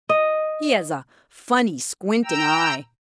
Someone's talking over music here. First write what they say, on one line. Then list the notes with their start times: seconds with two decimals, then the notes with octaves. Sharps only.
"He has a funny, squinting eye."
0.09 D#5
2.25 G5 A#5 E6